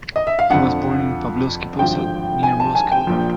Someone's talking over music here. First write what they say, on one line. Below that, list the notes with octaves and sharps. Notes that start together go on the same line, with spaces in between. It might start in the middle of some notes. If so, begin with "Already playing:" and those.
He was born in Pavlovsky Posad near Moscow.
D#5
E5
F5
F2 D3 F3 F#5
G#1 G2 D3 F3 G5
G#5
A5
G#5
G5
A#1 A#2 F3